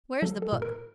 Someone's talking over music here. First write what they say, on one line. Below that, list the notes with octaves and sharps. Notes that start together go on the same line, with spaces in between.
Where's the book?'
F#3 A4
A4
A#2
A#4